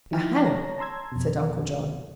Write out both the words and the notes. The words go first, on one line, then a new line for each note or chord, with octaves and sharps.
"Ahem!" said Uncle John.
F3 D#4 E4 G5 F6
C#5 A#5 A#6
A5 A#5 C6 E6 G#6
F2 B2